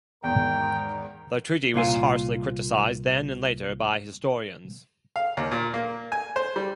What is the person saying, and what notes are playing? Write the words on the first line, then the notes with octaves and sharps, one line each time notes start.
The treaty was harshly criticised, then and later, by historians.
E2 G#2 D#3 A#4 G5
C2 A#2 F4 G#5
F5
D#2
A#2
A#3
G#5
C5
G3